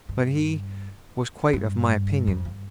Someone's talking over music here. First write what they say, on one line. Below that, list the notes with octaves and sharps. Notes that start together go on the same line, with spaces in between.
But he was quite of my opinion.
G2
G2
F2
G2